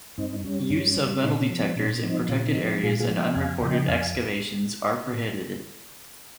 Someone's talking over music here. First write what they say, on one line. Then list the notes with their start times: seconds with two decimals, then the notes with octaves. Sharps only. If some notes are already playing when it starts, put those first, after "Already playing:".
Use of metal detectors in protected areas and unreported excavations are prohibited.
0.18 G2 C4 D#4
0.44 G3 C#4
0.70 G2 C#4
0.97 G3
1.23 A#2 C4 D#4
1.40 C#4
1.50 F3
1.59 C4
1.76 A#2 C#4
2.03 F3 C4 D#4
2.29 A#2 C#4 F4
2.47 C4 D#4
2.56 F3
2.65 C4
2.83 A#2 F4 G#4
3.00 F4 G#4
3.08 F3
3.18 D#5 G5
3.35 F2 F5 G#5
3.62 C#3 F3 D#5 G5
3.88 F2 F5 G#5